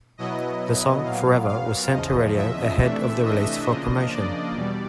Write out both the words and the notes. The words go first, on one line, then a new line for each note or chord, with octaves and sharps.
The song "Forever" was sent to radio ahead of the release for promotion.
B2 F#3 B3 E4 D#5
A#2 F#3 B3 F5
F5
E2 C#3 F3 D#5
E5
C3 E3 A3 D4
D#5
C#3 F3 A#3 D4 D#5
D5
E2 B2 G3